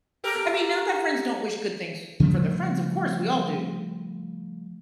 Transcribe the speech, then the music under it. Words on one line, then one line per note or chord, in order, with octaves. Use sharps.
I mean, not that friends don't wish good things for their friends, of course we all do.
G4 A4 A#4
C#3 F3 G3 A3